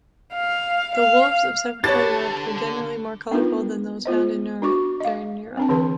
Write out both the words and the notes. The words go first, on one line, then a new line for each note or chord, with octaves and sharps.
The wolves of central Europe are generally more colorful than those found in northern Europe.
F5
F5
D3 G4 B4 C#5 A5 A6
B3 D4 D#4 F4 A#4 B4
B3 F4 C5 D#5
D4 F#4 C#6 D6
D#5 F5
C4 D4 A5
D3 E3 G#4 B4 A5 C6